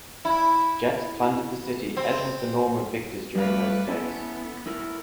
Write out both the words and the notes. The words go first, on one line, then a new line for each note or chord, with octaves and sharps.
Jats plundered the city as was the norm of victors during those days.
E4
C4
G3 A3 B4 F5 D6
A3 B3 C#4 E4
A2 E4 A#4